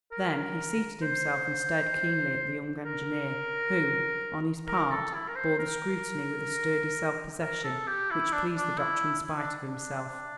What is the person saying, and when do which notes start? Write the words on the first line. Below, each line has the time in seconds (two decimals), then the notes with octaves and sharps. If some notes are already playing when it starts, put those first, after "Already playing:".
Then he seated himself and stared keenly at the young engineer, who on his part bore the scrutiny with a sturdy self-possession which pleased the doctor in spite of himself.
0.12 A#4
1.02 C5
2.86 A#4
4.68 A#4
4.90 A4
5.14 E4
5.28 A#4
5.36 C5
5.59 A#4
7.41 A#4
7.64 A4
7.87 G4
8.11 E4
8.32 D4
8.56 D4
8.78 E4
9.25 E4
9.38 D4
9.66 D4